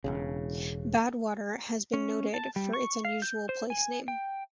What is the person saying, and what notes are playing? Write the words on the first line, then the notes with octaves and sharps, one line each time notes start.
Badwater has been noted for its unusual place name.
E1 A#1 C#3
C#4
A5
G3
C#6
F5
G6
C5
G#5
G5